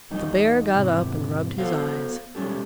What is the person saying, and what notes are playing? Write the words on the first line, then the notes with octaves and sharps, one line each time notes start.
But the Bear got up and rubbed his eyes.
E2 G3 D#4 D#5
E2 G#2 C3 E3
B3 F#4 A4 C5 F5
G3 G#3 C#4 G4 A4